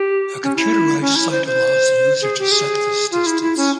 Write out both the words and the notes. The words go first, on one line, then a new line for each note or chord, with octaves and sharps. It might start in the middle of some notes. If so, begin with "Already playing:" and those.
A computerized sight allows the user to set this distance.
Already playing: G4
C#4
E4
C#4
E4
C5
C5
G#4
G4
G#4
F4
E4
E4
C#4